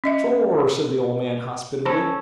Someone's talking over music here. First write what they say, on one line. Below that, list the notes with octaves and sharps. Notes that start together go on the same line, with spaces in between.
"Shore!" said the old man hospitably.
C#4 D#5 E5
C#4 A4 C5